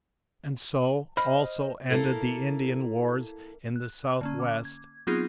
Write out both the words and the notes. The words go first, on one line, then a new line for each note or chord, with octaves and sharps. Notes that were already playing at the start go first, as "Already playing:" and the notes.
And so, also, ended the Indian Wars in the Southwest.
C5 D#5 B5 F6
A#3 E4 A4 A#4
F#6
D3 A#3 C#4
D6
G#6
F#3 B3 C4 D#4 F4 G#4